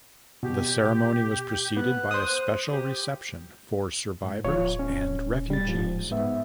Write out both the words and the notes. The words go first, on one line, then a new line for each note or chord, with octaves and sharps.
The ceremony was preceded by a special reception for survivors and refugees.
B2 G4
B3 F#6
C5 D#6
G4
G#2
D1 F3 F4 C#5
C#4
G3 A6
G#2 F3
G#2 B3 E5